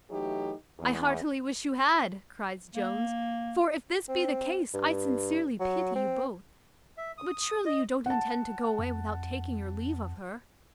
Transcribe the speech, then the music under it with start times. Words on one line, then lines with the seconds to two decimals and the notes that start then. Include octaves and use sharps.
"I heartily wish you had," cries Jones; "for, if this be the case, I sincerely pity you both; but surely you don't intend to go away without taking your leave of her?"
0.11 E3 F#3 A3 D#4 G4
0.79 E2
2.76 A#3
4.09 C4
4.74 G2
5.60 F#3
5.95 C4
6.97 E5
7.18 D#6
7.42 D#6
7.66 D#5
8.06 F#5 A5
8.79 F2